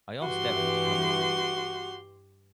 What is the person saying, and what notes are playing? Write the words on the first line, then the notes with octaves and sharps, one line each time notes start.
I asked Deren to come with me.
G2 E3 F#4 G4 C6